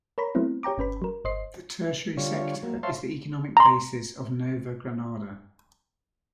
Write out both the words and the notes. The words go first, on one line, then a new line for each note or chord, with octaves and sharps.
The Tertiary sector is the economic basis of Nova Granada.
A#4 C#5 A#5 B5
F#3 A3 B3 C4 E4
G4 C#5 G5 A#5 D6
G1 C#4 B4 B5
F#3 A#4
G1 C5 D#5 C7
D3 G3 F4 C#5
F#3 A#3
C5 C#5 E5 F5 A5 C6
A#5 C6